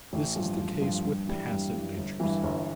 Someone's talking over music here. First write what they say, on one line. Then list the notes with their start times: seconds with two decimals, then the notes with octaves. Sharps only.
This is the case with passive natures.
0.13 A1
0.36 G2 F3
0.59 A1
0.81 G2 F3
1.05 G2
1.28 E3 G3
1.51 G2
1.73 E3 G3
1.97 G1
2.20 G2 E3
2.43 G1